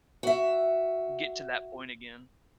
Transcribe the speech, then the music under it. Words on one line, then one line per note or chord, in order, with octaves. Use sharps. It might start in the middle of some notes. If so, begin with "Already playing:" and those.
get to that point again."
F#4 E5